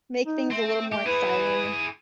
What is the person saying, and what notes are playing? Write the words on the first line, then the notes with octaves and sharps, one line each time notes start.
make things a little more exciting and
D#4
A3 C4
A3 G4
E4 G#4 B4